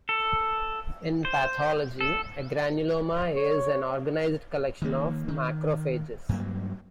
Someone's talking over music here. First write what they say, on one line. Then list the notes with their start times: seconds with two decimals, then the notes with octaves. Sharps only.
In pathology, a granuloma is an organized collection of macrophages.
0.09 A4
1.25 C5
2.01 A4
3.36 C#5
4.82 D#3 A#3
5.28 D#3
6.29 G2 F#3 A#3